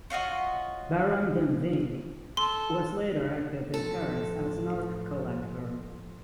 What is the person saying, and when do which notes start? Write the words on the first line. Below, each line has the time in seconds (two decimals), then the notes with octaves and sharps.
Baron de Vinck was later active in Paris as an art collector.
0.10 C#4 F4 F#4 D#5
2.37 A4 C6
3.74 A2 F3 A4